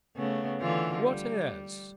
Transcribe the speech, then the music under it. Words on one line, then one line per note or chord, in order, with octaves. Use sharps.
"What as?"
C#3 A3 B3
D3 E3 F4
G3